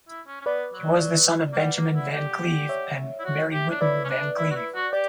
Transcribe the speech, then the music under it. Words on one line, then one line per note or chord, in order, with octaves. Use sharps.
He was the son of Benjamin Van Cleve and Mary Whitten Van Cleve.
E4
C#4
C#4
B3 B4 D5
F#3
A#3
G3 D5 F#5
A#3
E4
G4
C#5 E5
E4
F#4
G4
D4
E4 B4 D5
C#4
D4
E4
F#4
E4
F#4
G4 D5